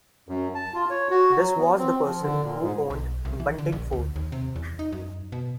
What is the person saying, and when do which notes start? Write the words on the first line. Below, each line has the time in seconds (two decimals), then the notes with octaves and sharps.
This was the person who owned Buntingford.
0.29 F#2
0.55 A5
0.75 F4
0.90 C#5
1.11 F#4
1.38 F#3
1.57 B3
1.78 C4
2.04 F3
2.21 D3
2.43 A#2
2.61 G#2
2.90 B1
3.25 C2
3.40 E3
3.58 D3
3.72 A#1
3.92 D2
4.16 D#2
4.32 C3
4.56 E2
4.79 D#4
4.92 F#2
5.32 B2